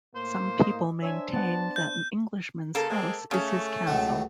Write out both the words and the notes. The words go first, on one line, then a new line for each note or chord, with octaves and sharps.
Some people maintain that an Englishman’s house is his castle.
A2 A#3 C5
D#5
D4 C5 C#5 E5 G#5
B3 F#5 A5
G6
C#3 A#3 A4
G#3 C4
C#3 A3 C#4
C#2 A2 F#3